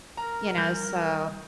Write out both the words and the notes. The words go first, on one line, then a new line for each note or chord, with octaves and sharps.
you know, so
A#4 A#5
G3 G6